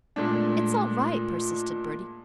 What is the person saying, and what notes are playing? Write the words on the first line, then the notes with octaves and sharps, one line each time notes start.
"It's all right," persisted Bertie.
A#2 G#3 A3 D4